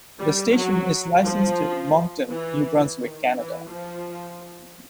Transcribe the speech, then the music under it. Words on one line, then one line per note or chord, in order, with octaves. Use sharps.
The station is licensed to Moncton, New Brunswick, Canada.
G3
F#3
F3
E3
D#3
E3
F3